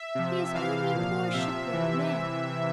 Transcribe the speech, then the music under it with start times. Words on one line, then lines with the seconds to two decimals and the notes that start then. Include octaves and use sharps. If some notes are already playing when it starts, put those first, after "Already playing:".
He is only a poor shipwrecked man.
Already playing: E5
0.15 C3 F3
0.55 C3 E3 F5
0.94 A#2 F3
1.33 C3 F3 E5
1.73 C3 E3